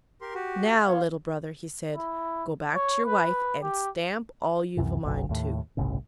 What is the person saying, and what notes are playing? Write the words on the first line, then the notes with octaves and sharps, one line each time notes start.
'Now, little brother,' he said, 'go back to your wife and stamp all you've a mind to.'
G4 A#4 C6
F#4 G4
F4 E5 G#5
B3 C5 C#5 F5
E4
C#5
B4
G4
C#2 F#2 C3 E3
F#1 B1 F#3
D#2 A2
G1 C2 A2 C#3